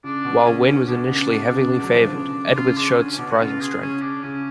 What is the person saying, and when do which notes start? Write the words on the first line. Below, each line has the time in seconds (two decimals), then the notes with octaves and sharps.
While Wynn was initially heavily favored, Edwards showed surprising strength.
0.04 C#3 D4
0.25 B2
0.46 C#3 C#4
0.66 D3 C#4
0.88 B2 D4
1.08 C#3
1.29 B2
1.51 C#3
1.71 B2
1.84 F#3
1.94 F3
2.03 D3
2.13 C#3
2.55 C#3 F4
2.76 C#3 D4
2.98 D3 C#4
3.11 C#4
3.18 B2 D4
3.30 F#4
3.39 C#3 F4
3.60 G#4
3.81 C#3 C#4
4.02 D4
4.23 C#3 C#4